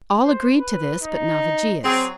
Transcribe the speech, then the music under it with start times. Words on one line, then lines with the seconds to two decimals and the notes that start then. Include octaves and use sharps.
All agreed to this but Navigius.
0.23 C5
0.58 B4
1.02 D#4
1.84 F#3 C4 G#4